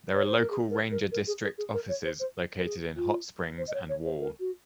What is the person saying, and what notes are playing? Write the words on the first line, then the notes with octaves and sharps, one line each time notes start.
There are local ranger district offices located in Hot Springs and Wall.
C#5
C5
A#4
G#4
A#4
A#4
A#4
G#4
G#4
G#4
A#4
C#5
C5
C5
A#4
G#4
F4
C5
D#5
C#5
C#5
C5
A#4
F#4